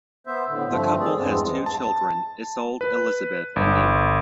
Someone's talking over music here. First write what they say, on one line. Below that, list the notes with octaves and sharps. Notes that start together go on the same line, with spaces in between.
The couple has two children, Isolde Elisabeth and Nemo.
B3 C5 E5
A2 D3
G2 F3 A3 C4
G#4 D5
E2 G2 G#3 B3 C4
A5
B4
G1